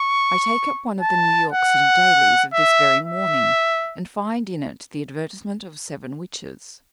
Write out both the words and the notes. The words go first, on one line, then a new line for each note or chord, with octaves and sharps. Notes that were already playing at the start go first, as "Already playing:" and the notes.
I take up one of the New York City dailies of this very morning, and find in it the advertisements of seven Witches.
Already playing: C#6
A5
F#5
E5
E5